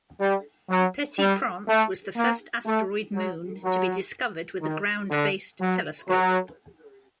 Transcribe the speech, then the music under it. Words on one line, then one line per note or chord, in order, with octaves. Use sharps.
Petit-Prince was the first asteroid moon to be discovered with a ground-based telescope.
G3
F#3
G3
A3
A#3
A3
F#3
F#3
D#3
D3
F#3
F#3